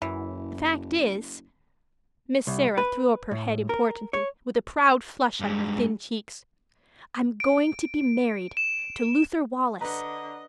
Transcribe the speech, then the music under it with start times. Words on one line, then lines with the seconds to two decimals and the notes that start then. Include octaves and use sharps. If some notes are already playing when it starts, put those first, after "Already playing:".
The fact is--" Miss Sarah threw up her head importantly, with a proud flush on her thin cheeks--"I'm going to be married--to Luther Wallace.
0.02 F#1 F#2 E3
2.47 C2
2.78 B4
3.31 A2
3.69 A#4
4.13 C#5
5.40 G2 G#3
7.40 D7
8.57 E7
9.81 D3 B4 D#5 F#5 A#5